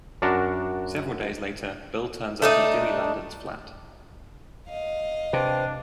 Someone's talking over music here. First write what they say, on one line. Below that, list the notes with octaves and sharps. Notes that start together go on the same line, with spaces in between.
Several days later, Bill turns up at Jimmy's London flat.
F#2 D4 F#4 A#4 A5
A3 D4 D#4
D#5 F5
C3 D4 B4 C5 G5